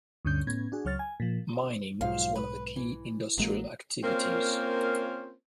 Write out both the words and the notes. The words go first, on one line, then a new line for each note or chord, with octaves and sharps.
Mining is one of the key industrial activities.
D2 G2 D3 C#4 G6
A2 B3 C#4 G#6
D4 F#4 G#4
C#2 F#3 C#5 F6 A6
G#5
A#2 F3
B1 G#2 F3 F5
B4
E3
A1 F#3 G#3 A#3
A#3 C4 C#4 F4 A#4 C5